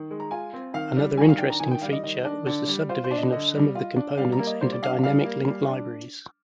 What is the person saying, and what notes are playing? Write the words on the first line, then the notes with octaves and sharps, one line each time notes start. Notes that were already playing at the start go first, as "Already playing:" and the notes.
Another interesting feature was the subdivision of some of the components into dynamic-link libraries.
Already playing: D#3
G#3
A#5
F4 G#5
C4
D#3 F5
G3
D#3 G#5
F5
D4 G5
A#5
D#3 G#5
G5
G3 F5
D#5
D#3 D#5
D4
D3 D5
G3
F4 C5
C5
D4 D5
D#5
D3 D#5
G3
F4
D4
G3 F5
A#5
A#3
D#5
G3 C5
D5
D4 F5
F5
G3 F5
A#3
G3
D4